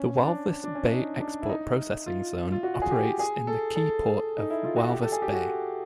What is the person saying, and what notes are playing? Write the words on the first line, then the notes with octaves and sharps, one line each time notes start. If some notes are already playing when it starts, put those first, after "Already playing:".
The Walvis Bay Export Processing Zone operates in the key port of Walvis Bay.
Already playing: C#4
D4
D4
C#4
D4
D#4
D4
E4
D#4
F4
F4
F#4
G#4
G4
G#4
A4
A4
D#4
E4
F4
F#4
G4
A4
G#4
G4
F#4